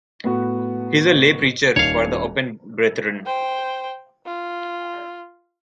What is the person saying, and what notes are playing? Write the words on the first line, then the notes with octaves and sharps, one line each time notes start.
He is a lay preacher for the Open Brethren.
A2 B3 F#4
D#1 D#3 C#5 F5 F7
C5 G5
F4